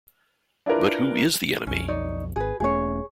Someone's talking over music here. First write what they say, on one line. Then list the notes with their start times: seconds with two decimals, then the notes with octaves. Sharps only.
But who is the enemy?
0.66 D4 E4 F4 A#4 B4
1.67 B1 F2 C#4
1.88 D#4 C#5 D5
2.36 G#1 G#4 B4
2.60 E1 A3 C#4 G#4 C#5